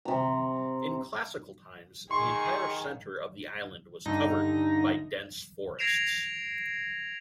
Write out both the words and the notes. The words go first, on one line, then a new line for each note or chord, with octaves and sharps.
In classical times the entire center of the island was covered by dense forests.
C3 A#5
D#3 G#4 C6 C#6
G2 D3 D#4 A#6
G#6 A#6 C7 D7 E7 F7